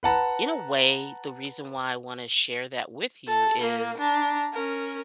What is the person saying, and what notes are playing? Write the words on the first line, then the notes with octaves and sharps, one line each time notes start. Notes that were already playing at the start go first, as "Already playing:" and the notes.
in a way the reason why I wanna share that with you is
B4 F#5 A5 A#5
A4
A#3
D4 A#5
C#4 A#4